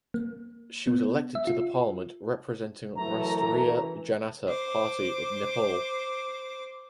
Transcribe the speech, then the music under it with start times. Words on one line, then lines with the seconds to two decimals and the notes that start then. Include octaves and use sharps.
She was elected to the parliament representing Rastriya Janata Party Nepal.
0.14 A#3
0.87 B3
1.35 E5
1.47 F4
2.96 F#2 E3 A3 A#5
4.49 C5 D6